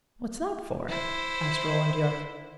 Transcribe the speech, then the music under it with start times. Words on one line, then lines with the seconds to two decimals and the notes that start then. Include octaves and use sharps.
"What's that for?" asked Roland Yorke.
0.89 E4 C5